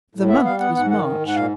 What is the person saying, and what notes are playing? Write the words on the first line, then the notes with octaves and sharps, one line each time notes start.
The month was March.
A2
B3 E5
G3 F5
B3 F#5
G#2 F#5
D#3 F#5
G#2
G#2
F#5
A#2 F5